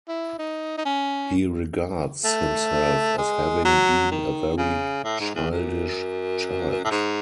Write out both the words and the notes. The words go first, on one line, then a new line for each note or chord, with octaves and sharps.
He regards himself as having been a very childish child.
E4
D#4
D#4
C#4
A3
G#3
F#3
D#3
C#3
A2
G#2
E2
F#2
A2
G#2